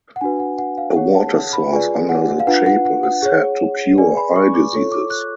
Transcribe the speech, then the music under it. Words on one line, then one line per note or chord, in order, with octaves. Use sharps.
A water source under the chapel is said to cure eye diseases.
F#5
D4 F#4 B4 G#5
F#5
F#5
F5
G#4 C#5 F#5
A5
B5
F4 G#4 B4 D5 G#5
F#5
F5
D4 F4 B4 F#5
F#5
F#5
F#5
G#4 C#5
G#4 B4 D5 G#5
B5
C#6
D6
F4 A4 C#5 C#6
D6
F#6